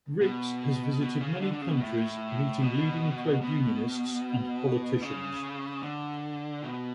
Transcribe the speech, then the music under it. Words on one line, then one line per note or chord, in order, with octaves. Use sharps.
Rix has visited many countries meeting leading trade unionists and politicians.
B2
B2
C#3
D3
D3
C#3
B2
A2
B2
B2
C#3
D3
B2